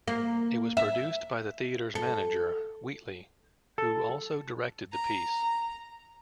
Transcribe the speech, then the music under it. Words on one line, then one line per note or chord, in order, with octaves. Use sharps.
It was produced by the theatre's manager, Wheatley, who also directed the piece.
A#3
E5
A4
A4
A#5